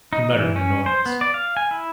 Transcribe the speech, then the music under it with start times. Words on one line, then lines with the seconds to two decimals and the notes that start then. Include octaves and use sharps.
He muttered in annoyance.
0.13 D#4
0.30 E3
0.56 C#4
0.86 C5
1.06 B3
1.21 D5
1.34 F5
1.57 G#5
1.71 E4